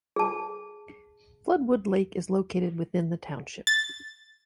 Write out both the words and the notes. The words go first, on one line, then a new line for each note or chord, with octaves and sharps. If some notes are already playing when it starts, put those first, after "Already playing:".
Floodwood Lake is located within the township.
G#4 A5
A6